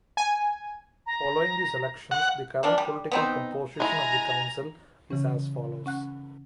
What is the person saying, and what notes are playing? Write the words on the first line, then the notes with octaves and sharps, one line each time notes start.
Following these elections the current political composition of the council is as follows.
G#5
A#5
F#5
E3 A#3 D4
G3
B3 C4 D#4
G#3 E4 G#5 A#5
C#3 E3 C#4
C#4 F#5 F#6